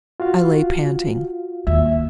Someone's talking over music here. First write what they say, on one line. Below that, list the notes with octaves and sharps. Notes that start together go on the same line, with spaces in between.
I lay panting.
F4 F#4 F5
D#2 E5